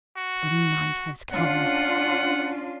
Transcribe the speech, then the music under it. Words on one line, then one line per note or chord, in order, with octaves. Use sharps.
The night has come!
F#4
C#4 D4 F4 F#5